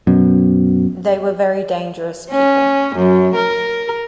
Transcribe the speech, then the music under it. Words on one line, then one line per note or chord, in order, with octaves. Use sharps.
They were very dangerous people.
F#2 B2
C#4
F#2
A#4